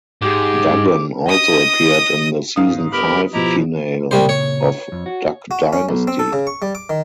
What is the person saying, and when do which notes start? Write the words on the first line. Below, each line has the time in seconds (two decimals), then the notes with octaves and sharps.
Duggan also appeared in the season five finale of "Duck Dynasty".
0.22 G#2 G4 G#4 D6
1.28 D#5 D#6
2.56 G#2 F5 D#6
2.92 G1 B3 G4 A#4 B5
3.33 B2 F3 E4 G4 D#5 A#5
4.11 C2 A#2 C#3 G3 C5
4.29 C#5
4.92 F2
5.06 F#4
5.51 F#4
5.73 C#4
5.89 B1
6.07 C4
6.19 A4
6.33 C#3
6.47 C#6
6.62 G3
6.75 D6
6.90 D#3